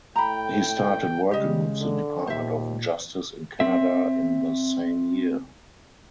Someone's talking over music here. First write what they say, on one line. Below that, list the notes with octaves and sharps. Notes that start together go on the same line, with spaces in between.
He started working with the Department of Justice in Canada in the same year.
A2 G5 A#5 B5
C#3 G3 G#3 G4 D#5
D3
D#2 A#2 C5 E5
C4 E5